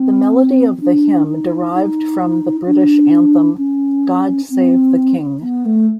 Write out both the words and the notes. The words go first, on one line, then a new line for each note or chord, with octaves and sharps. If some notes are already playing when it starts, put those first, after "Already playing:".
The melody of the hymn derived from the British anthem "God Save the King".
Already playing: C4
D4
D#4
D#4
D4
C#4
C4
B3
A3